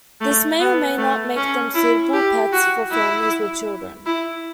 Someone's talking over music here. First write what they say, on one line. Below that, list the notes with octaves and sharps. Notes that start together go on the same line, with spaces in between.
This may or may not make them suitable pets for families with children.
A3
B3
A3
C#4
E4
G4
F#4
E4
E4